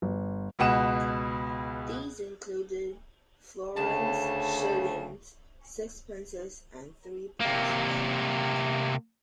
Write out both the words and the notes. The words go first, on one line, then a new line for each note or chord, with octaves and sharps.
These included florins, shillings, sixpences and threepences.
G1
C#2 B2 F#5 E7
D2 C#3 A5
C3 A#3